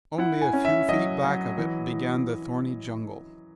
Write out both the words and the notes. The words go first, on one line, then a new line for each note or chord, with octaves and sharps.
Only a few feet back of it began the thorny jungle.
E4 F#5
G#5
C#4
E5
F#3 D#5
F#3
E3
E3